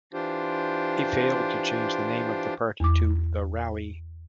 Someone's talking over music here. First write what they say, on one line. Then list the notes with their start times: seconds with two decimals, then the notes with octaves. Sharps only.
He failed to change the name of the party to "The Rally".
0.14 E3 D4 F4 G4 C5
2.80 E2 D6